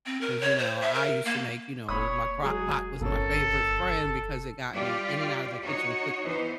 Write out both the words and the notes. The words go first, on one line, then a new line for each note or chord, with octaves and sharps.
As you know, I used to make, you know my crockpot was my favorite friend because it got me in and out of the kitchen quickly.
C4
A#4
C#5
C5
E5
A#4
A#3
F1 A#2 C#5 B5 D#6
F#3 G#3 G#4
G1 A#3 C#4 A4
G3 F4 G4 D5
D#4 F#4 C#5
E3 B3 D#4 C5